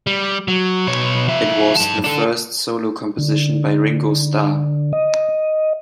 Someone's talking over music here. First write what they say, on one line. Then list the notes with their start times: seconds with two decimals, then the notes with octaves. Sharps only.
It was the first solo composition by Ringo Starr.
0.07 G3
0.48 F#3
0.87 B2 C#5
1.28 F3 E5
1.77 G2 A5
2.04 D4 A4
3.18 D3
4.93 D#5